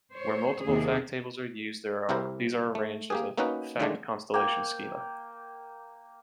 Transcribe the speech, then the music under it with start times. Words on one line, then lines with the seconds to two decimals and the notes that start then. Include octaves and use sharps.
Where multiple fact tables are used, these are arranged as a fact constellation schema.
0.13 C5 C#5
0.62 D#2 C3 G#4
2.09 C2 E4 G4 A#4 C5
2.75 A3
3.10 A#3 G4 G#4
3.38 A#3 B3 C#4 D#4 F#4 B4
3.80 A2 D3 D#3 G#3 A3 D4
4.34 A#3 G5